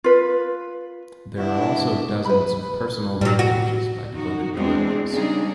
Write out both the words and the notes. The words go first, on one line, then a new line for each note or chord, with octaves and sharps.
There are also dozens of personal web pages by devoted collectors.
F4 B4
D4 E4 F#4
B4 B5
A2 F#3 G3
F#4
D#4 F#4
E2 G#3 C4 D4 G#4
C#3 G3 D4 D#4 G#4